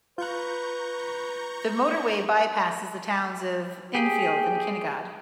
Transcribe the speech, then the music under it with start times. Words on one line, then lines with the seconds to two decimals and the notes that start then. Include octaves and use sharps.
The motorway by-passes the towns of Enfield and Kinnegad.
0.18 F4 B4 A#5 C#6 F#6 G6
3.95 G4 G#4